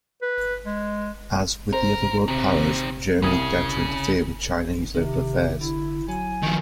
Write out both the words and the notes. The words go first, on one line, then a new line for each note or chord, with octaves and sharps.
As with the other world powers, Germany began to interfere in Chinese local affairs.
B4
G#3
A#4 C5
C3 D#3 C4
C2 C#3 D#6 G#6
C3 D#3
D3 E4
F#3 G#5
D#3 F3